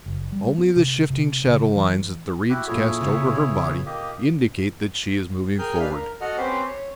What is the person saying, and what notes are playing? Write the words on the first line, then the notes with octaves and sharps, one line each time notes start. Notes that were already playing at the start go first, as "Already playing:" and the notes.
Only the shifting shadow-lines that the reeds cast over her body indicate that she is moving forward.
F#1
G3
B3
C3
C3
C#3
E3
E4 F#4 G4
A#2 E4 F4 G#4 A4 C#5
C#3 B3
A#3 G4 D#5
G#4 A#4 G5 G#5 F6 G6
D4 B4 F5
A#4
F#4 A4 D#5 F#5 F6
C4 C#4 G4 B4 C5
C#5